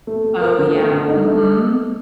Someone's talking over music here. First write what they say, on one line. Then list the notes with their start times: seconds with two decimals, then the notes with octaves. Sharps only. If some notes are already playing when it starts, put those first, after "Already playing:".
Oh, yeah, mhm.
0.07 A3
0.24 A3
0.41 A#4
0.58 D3
0.74 A3
0.92 D3
1.08 D#4
1.25 A3